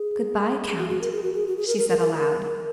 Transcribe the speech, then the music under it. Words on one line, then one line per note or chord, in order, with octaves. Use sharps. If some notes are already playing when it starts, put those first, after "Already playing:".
"Good-bye, Count," she said aloud.
Already playing: G#4
G#4
F#4
F#4
A#4
G#4
F#4
G#4
F#4
G#4
A#4
A#4
A#4
A#4